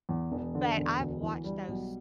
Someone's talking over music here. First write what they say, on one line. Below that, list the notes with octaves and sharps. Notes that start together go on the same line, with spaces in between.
But I've watched those
E2
E1
D3
E1
D2
E3
G3
B1